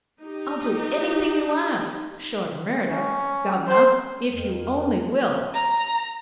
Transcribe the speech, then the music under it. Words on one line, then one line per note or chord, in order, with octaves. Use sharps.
'I'll do anything you ask, short o' murder, governor, if you only will.'
D#4 G4
C#4
C5
F2 A#4
A#5